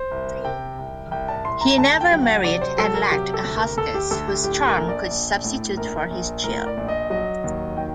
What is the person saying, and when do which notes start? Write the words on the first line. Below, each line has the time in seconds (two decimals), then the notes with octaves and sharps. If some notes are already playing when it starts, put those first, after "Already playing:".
He never married and lacked a hostess whose charm could substitute for his chill.
Already playing: C5
0.11 C2
0.45 C3 G5
0.79 C2
1.11 C2 G5
1.28 A5
1.45 C2 C6
1.61 A#5
1.78 D2 A5
2.01 G5
2.11 F#3
2.23 F#5
2.44 C3 D5
2.61 C5
2.78 F#3 A4
2.94 A#4
3.11 C3 G4
3.34 A4
3.44 D2
3.56 A#4
3.77 D2 A4
3.94 G4
4.11 D2 A4
4.28 G4
4.44 A2 G4
4.66 A#4
4.77 A#1
4.89 D5
5.11 A#1
5.44 A2
5.77 A#1 A#4
6.10 A#1
6.44 A2 A#4
6.66 D5
6.77 A#1
6.88 D#5
7.10 F#3 D#5
7.44 D#2
7.77 D#3 G5